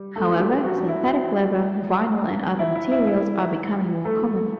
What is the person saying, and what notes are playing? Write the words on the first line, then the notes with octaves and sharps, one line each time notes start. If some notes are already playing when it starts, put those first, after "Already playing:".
However, synthetic leather, vinyl and other materials are becoming more common.
Already playing: G3
A3 A4
G3 G4
F#3 F#4
D4
E4
E4
E4
E4
E4
A3 A4